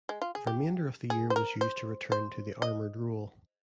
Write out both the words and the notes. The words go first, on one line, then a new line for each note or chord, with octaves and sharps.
The remainder of the year was used to return to the armoured role.
G#3
F4
G#4
G4
G#4
C5
A#4
C5
C5
D#5